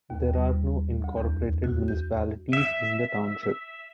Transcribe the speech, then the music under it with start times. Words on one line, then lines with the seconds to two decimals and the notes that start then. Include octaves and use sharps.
There are no incorporated municipalities in the township.
0.10 D#2
0.34 G3
1.04 D2
1.17 E2
1.64 F#4
1.88 G6
2.53 E5